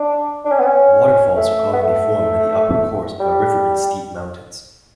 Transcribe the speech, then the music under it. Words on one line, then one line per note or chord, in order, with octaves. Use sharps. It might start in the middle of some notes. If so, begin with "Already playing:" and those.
Waterfalls are commonly formed in the upper course of a river in steep mountains.
Already playing: D4
D4
C#4
B3
C#4
A3
B3
A3
G3